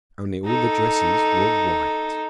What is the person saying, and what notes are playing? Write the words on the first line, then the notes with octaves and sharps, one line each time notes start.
Only all the dresses were white.
D#4 A4